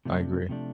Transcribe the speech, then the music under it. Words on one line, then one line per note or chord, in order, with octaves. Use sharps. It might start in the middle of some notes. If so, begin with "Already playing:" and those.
I agree.
C3 F3 A3 D4
C3 F3 A3 D4